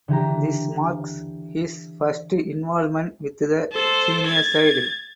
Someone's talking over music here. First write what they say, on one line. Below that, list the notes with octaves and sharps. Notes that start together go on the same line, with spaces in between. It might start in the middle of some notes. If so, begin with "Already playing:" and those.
This marks his first involvement with the senior side.
D3 E3 G4 A#5
A4 C5
G#6 A6